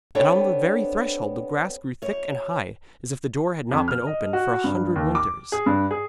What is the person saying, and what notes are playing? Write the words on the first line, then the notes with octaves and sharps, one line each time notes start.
And on the very threshold the grass grew thick and high, as if the door had not been opened for a hundred winters.
B3 C4 D4 G4 A4 C#5
F#2 C#5
F2
F6
D#5
F#4
G2
D#2
D6
G#4
G2
G#4